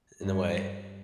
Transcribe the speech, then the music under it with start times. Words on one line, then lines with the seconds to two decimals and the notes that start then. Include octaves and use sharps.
in a way.
0.22 G2